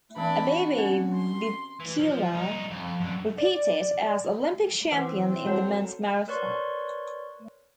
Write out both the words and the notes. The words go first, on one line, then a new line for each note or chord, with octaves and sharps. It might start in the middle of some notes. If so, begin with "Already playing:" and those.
Abebe Bikila repeated as Olympic champion in the men's marathon.
E3 A3 C4 D4 B5
D4 F#4
C4 C#4 F#5
C6
E3
F3
C2 D#4
F2
F#2 D3
D5
E3 C4 B4 F#5 D6
F#4 A4 A#4 C#5 F#5
A#4 B4 C#5 D5 C6 C#6